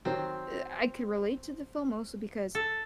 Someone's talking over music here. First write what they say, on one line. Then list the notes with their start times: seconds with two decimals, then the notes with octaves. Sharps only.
eh, I can relate to the film mostly because
0.05 D#3 F#3 C4 C5
2.55 A4